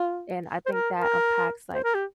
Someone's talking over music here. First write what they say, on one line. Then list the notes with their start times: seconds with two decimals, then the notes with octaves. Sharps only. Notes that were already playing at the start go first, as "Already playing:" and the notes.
And I think that unpacks, like,
Already playing: F4
0.66 C5
0.72 A#4
0.97 A#4
1.74 C5
1.84 A#4
1.95 G4